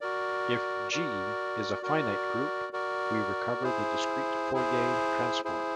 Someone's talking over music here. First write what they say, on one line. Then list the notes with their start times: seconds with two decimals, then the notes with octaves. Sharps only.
If "G" is a finite group, we recover the discrete Fourier transform.
0.01 F#4 A#4 D5
0.91 F#4 A#4 D5
1.82 F#4 A#4 D5
2.73 F#4 A#4 D5
3.63 E4 G#4 C5
4.53 E4 G#4 C5
5.44 E4 G#4 C5